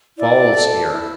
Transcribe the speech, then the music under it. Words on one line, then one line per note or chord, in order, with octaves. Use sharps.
Fall's here.
E4 D5
A4
E4